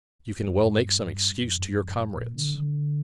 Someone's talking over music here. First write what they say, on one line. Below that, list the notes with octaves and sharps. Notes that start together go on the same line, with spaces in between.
You can well make some excuse to your comrades.
F2
G2
F2
G2
F2
G2
A#2
D3
D3